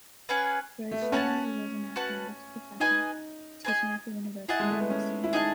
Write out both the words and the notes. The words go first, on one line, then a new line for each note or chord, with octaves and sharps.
Originally he was a mathematics professor, teaching at the University of Lausanne.
C#4 G#4 B4 F#5
A3
B3
C#4 F#4 B4 F#5 A5
F#4 B4 F#5 A5
D#4 G#4 B4 D#5 G#5
G#4 B4 D#5 G#5
E4 G#4 D#5 F#5 A5
G#3
A3
B3
C#4
E4
D#4 G#4 D#5 F#5 A5